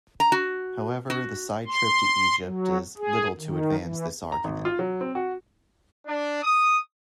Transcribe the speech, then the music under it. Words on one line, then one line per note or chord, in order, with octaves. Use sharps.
However, the side trip to Egypt does little to advance this argument.
A#5
F#4
F#4
C6
F#3
G#4
D#3
E3
A#5
G#1
F4
F#3
C4
F#4
D4
D#6